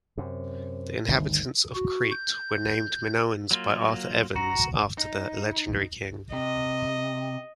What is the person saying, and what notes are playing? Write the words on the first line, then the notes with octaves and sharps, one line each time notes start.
The inhabitants of Crete were named Minoans by Arthur Evans, after the legendary king.
F#2 C3
G1 D2 D#3
F#4
G6
F#3 A#3 F4
F#4 A#5
D#4
C3 D#5